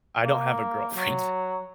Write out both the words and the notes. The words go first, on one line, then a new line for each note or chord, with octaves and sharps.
I don't have a girlfriend.
A#3
F#3